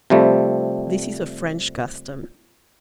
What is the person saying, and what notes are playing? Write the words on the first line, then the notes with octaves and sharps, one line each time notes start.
This is a French custom.
C3 F3 G3 A3